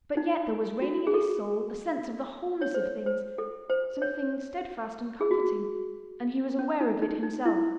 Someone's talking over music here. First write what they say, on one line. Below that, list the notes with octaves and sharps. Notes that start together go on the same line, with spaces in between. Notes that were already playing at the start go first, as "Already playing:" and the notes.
But yet there was reigning in his soul a sense of the wholeness of things--something steadfast and comforting--and he was aware of it himself.
D#4
F#4
G#4
A4
C#5
C5
C5
A4
C5
C#5
G#4
F#4
C#4
D#4
D#4
D#4
E4